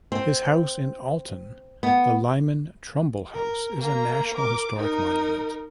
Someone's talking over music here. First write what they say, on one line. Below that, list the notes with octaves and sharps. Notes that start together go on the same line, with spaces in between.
His house in Alton, the Lyman Trumbull House, is a National Historic Monument.
C4
B3
A#4
A#3 A#5
A#4 D6
D#4 A#4